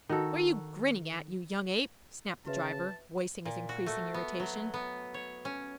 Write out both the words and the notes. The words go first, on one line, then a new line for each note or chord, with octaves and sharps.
"What are you grinning at, you young ape?" snapped the driver, voicing his increasing irritation.
D#3 F#4 A4
C#3 F#4 B4 E5 A5
A#2
F#4
A3
B3
F#3
B3
C#5
C#4